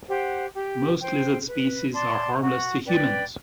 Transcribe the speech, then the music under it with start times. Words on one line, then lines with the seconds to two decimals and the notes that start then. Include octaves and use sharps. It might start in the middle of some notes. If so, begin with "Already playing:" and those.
Most lizard species are harmless to humans.
0.08 G4 C5 F#5
0.54 G4
1.00 C5 G5
1.47 B4
1.93 D5 A5 C6
2.39 F#4
2.85 B4 D5 G5